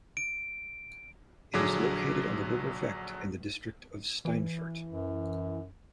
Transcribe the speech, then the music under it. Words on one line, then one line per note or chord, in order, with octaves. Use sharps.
It is located on the river Vechte in the district of Steinfurt.
D7
A#1 D3 F#3 G#4 D6 G#6
E3
F#2